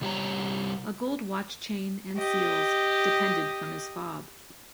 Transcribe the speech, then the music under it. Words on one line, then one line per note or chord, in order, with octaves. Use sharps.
A gold watch-chain, and seals, depended from his fob.
C3 G3 D#4 G4 C#5 A#5
G4 D#5